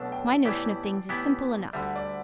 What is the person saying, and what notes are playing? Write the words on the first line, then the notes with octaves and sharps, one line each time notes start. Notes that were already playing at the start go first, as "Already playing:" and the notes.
My notion of things is simple enough.
Already playing: B1 B2 A3 D4 A5
G5
E5
A2 E3 B3 E4 G4 D5
A2 E3 B3 E4 G4
D2 D3 G3 E5
D5